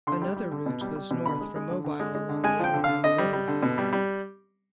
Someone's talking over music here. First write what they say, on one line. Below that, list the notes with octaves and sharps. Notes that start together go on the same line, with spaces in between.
Another route was north from Mobile along the Alabama River.
D3 C6
G3
G3
D3
B2
G3
G3
B2
D3 B5
G#3
G#3
D3
D3
G#3
G#3
D3
G#3 G#5
F3 G5
D3
D3 F5
D3 D#5
G3
G3
D3
B2
G3
G3